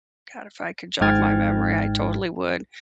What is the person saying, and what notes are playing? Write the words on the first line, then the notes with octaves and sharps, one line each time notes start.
god, if I could jog my memory, I totally would.
G#1 G#2 G5 F6 G#6 A6